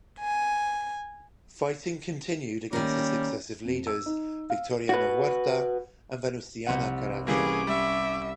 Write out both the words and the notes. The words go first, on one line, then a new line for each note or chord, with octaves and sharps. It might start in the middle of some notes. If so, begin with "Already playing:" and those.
Fighting continued against the successive leaders Victoriano Huerta and Venustiano Carranza.
G#5
D#3 G3 A#3 C#4 A#4
F2
E6
D#4
F5
F#4 B4
C2 C4 F#5
E3 G3 A#3 C#4 G#4 D6
G3 E5